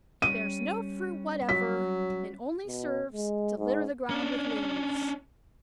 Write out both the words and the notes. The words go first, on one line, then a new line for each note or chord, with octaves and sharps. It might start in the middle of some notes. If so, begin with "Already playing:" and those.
"It bears no fruit whatever, and only serves to litter the ground with leaves."
G3 C#4 D#7
F#3 B6
B2
G#3
G#2
C#4 D4